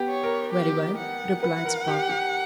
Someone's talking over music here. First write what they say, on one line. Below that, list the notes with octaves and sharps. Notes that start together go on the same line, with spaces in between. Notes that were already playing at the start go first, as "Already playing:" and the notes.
"Very well," replied Spargo.
Already playing: B3 G4
C#5
A#4
G4
F#5
B4 F#5
A#4
G4
G4